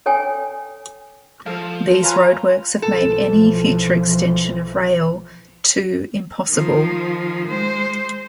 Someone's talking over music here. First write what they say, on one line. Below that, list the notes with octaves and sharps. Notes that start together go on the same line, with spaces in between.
These roadworks have made any future extension of rail to impossible.
A4 C#5 G5 G#5
F3 F4 A4 F5
F4 B4 C#5 G#5 A#5
B1 E3 F3 A4
D#3 F3
G#3 C5